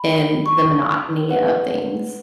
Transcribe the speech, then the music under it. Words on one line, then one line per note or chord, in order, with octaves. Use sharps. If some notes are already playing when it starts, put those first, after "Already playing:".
in the monotony of things.
Already playing: B5
C#6
B4 F#5